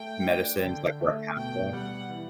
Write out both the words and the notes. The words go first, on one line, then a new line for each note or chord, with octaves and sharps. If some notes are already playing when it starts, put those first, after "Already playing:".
medicines like Repatha
Already playing: A3 G5
D4
D3
A3
B2 G5
G3 F#5
E3